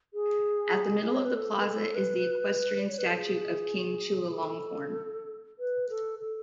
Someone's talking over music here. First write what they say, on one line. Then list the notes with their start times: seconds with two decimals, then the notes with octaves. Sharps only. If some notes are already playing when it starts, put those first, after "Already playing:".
At the middle of the plaza is the equestrian statue of King Chulalongkorn.
0.14 G#4
1.14 C#5
1.25 B4
1.35 A4
1.61 B4
1.65 A4
1.95 B4
2.79 D5
2.89 C#5
2.98 B4
3.07 A4
3.17 G#4
4.29 G#4
4.37 A4
5.59 B4
5.89 A4
6.19 A4